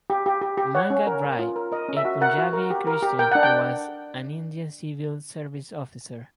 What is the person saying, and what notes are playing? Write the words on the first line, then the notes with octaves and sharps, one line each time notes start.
Mangat Rai, a Punjabi Christian who was an Indian Civil Service officer.
G4
G4
G4
G4
C#5 F#5
C#4
A#4
A#4
F4
A#4
A#4 D#5
C#4
E5
F#4
A#4 F#5
F#4
A#4
G4
A#4
G4
A#4 G5
D4 F#5
G5